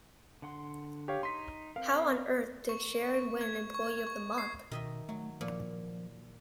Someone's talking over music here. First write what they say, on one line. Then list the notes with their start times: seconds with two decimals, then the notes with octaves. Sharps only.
How on earth did Sharon win employee of the month?
0.42 D3 F#5 C6
1.08 G4 C#5 F5
1.23 D#4 C6 B6
1.76 C4 A#4 F5
2.69 C#6
3.41 G#6
3.75 C#6
4.07 C#6
4.38 C7
4.71 B2 D#3 D#5 E5
5.09 F#3 A3
5.41 A#2 F3